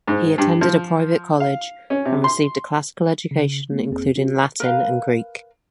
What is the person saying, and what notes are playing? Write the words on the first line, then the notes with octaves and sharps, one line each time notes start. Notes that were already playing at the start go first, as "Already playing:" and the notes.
He attended a private college and received a classical education including Latin and Greek.
G#2
G2
F3
F5
C#4
C3
C6
C#3
A3 B3
G1 F2 A#3 C4 G#4
C#4 F#4
A#4 B4 F5